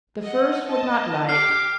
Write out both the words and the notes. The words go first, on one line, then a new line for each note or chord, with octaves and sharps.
The first would not light.
D#5 F#5
D#5 A5
G4 D6 F6 C7